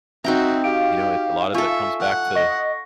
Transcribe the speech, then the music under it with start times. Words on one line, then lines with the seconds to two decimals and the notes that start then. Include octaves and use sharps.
You know, a lot of it comes back to
0.24 C4 D#4 F#4 E5 G5 A#5
0.64 F#4 G4 F5 D7
1.54 F4 A4 E5 G#5 C#6
2.01 F#5
2.35 D#5 C#6 A#6